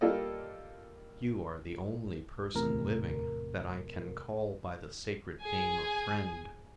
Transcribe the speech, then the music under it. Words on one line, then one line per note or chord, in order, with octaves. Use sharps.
You are the only person living that I can call by the sacred name of friend.
G3 A#3 F4 A4 D5 D#5
E2 A2 C3 A#4
G#4 G#5